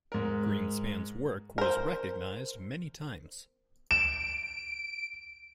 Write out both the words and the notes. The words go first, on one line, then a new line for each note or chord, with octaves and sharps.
Greenspan's work was recognized many times.
G#2 A#4
A#4 C5
D7 E7